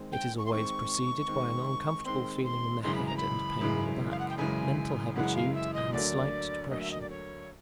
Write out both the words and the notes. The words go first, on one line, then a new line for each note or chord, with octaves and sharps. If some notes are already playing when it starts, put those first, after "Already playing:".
It is always preceded by an uncomfortable feeling in the head, and pain in the back, mental hebetude, and slight depression.
Already playing: D#3 G#3 C4
G5
C#6
C6
D#3 G#3 C4 C#6
D#3 G#3 C4
D#3 G#3 C4 C6
C6
F#2 C#3 E3 G#3 C6
B5
A#5
B5
F#2 C#3 E3 G#3
F5
F#5
G5
F#2 C#3 E3 G#3 G#5
F#2 C#3 E3 G#3 F#5
F5
E5
D#5
D2 D3 F#3 A#3 D5
D2 D3 F#3 A#3 D#5
E5
D#5
D5
C#5